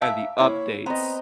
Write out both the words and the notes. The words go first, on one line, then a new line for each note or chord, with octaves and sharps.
and the updates
G#2 E5 F5 A5 E6
A#3 E4 C#5
B3 C4 D#5 A#5